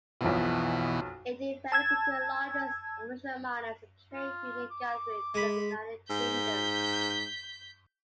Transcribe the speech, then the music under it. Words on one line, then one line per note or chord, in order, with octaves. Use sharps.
It developed into the largest unofficial miners and trade-union gathering in the United Kingdom.
B1 F2 B2 E3
A5 E6 G#6
F4
D6
G#3 B5
G#2 G6 B6